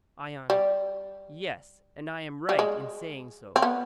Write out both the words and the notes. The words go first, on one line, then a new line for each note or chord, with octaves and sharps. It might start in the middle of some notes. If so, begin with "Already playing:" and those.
ION: Yes; and I am right in saying so.
G3
G3
G#3
C4
B3